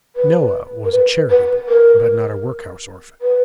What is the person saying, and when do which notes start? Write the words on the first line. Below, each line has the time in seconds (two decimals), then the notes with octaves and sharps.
Noah was a charity-boy, but not a workhouse orphan.
0.16 B4
0.85 A#4
0.92 B4
1.30 B4
1.69 A#4
3.21 B4